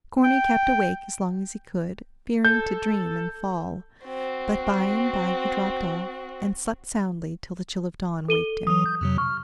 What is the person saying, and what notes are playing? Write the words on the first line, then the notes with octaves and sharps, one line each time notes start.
Corny kept awake as long as he could, fearing to dream and fall; but by-and-by he dropped off, and slept soundly till the chill of dawn waked him.
G5
A4 G6
C4 F#4
A4 D#7 G7
E3 F#3 D#6
G6
F2 C3 F#3
C#6 F6